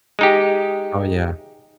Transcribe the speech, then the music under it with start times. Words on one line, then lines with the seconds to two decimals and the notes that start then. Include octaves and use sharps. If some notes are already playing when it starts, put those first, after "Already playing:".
Oh, yeah.
0.19 G#3 D#4 G4